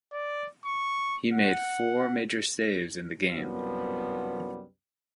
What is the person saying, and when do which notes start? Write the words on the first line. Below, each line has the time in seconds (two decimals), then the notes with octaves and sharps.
He made four major saves in the game.
0.13 D5
0.65 C#6
1.33 F#5
3.34 C2 F#2 F3 G3 B3